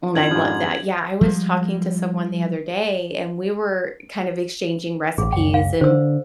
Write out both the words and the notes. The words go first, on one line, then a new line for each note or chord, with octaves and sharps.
and I love that. Yeah, I was talking to someone the other day, and we were kind of exchanging recipes, and
F2 D4 E4 F4 A4 G#6 F#7
G#2 F3 C#4 G4 A#4
F3 G3 G#3
A1 G#4
F#1 C#2 G5
F5
D3 C5 E6